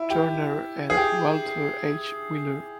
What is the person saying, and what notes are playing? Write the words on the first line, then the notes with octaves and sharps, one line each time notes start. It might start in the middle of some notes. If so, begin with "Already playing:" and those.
Turner and Walter H. Wheeler.
Already playing: E4
G4
G#4
G4